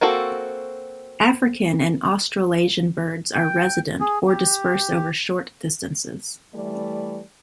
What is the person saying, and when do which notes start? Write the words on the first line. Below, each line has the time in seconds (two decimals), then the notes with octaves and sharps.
African and Australasian birds are resident or disperse over short distances.
0.01 A#3 C4 F#4 A4
3.34 G5
4.01 G#4
4.28 G4
6.53 E3 G3 A3 D5